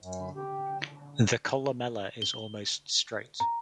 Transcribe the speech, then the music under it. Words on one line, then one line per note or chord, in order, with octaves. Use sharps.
The columella is almost straight.
F#2
G4
G7
A#5